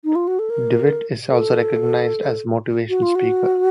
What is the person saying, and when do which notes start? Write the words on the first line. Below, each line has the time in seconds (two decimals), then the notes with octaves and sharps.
Dewitt is also recognized as motivational speaker.
0.04 D#4
0.15 F4
0.27 F#4
0.39 A4
0.50 A#4
1.29 A4
2.89 F#4
3.02 F4
3.15 F#4